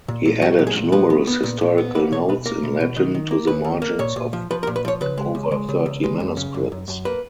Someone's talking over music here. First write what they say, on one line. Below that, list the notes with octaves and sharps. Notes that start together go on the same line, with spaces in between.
He added numerous historical notes in Latin to the margins of over thirty manuscripts.
A#2
A#2
F#3 F#4
A#2
G#4
A#2
F3 B4
B3
B3
A#2
A#2
B3
A#3 B4
B2 C#5
B2 B4
A#3 A#4
B2
B2
D#3
D#3
A#3
D#2 B4
D#2
A#3
A#2 C#5
A#2
F3
F3 B4
A#4
A#2
B4
F3 C#5
C#3 B4
G#3
C#2
G#3
C#3
C#2
G#3 B4
F#2
C#3
F#2
F#2
F#2
A#3 B4